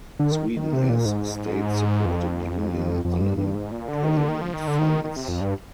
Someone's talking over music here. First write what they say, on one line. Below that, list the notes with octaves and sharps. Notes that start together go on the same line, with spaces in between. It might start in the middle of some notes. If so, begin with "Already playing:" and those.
Sweden has state-supported union unemployment funds.
D3
D#3
D#3
C3
A#2
G#2
F2
F2
G2
G2
G#2
A#2
D3
D#3
D3
D#3
F3
D#3
D3
D#3
D#3
C3
F2
G2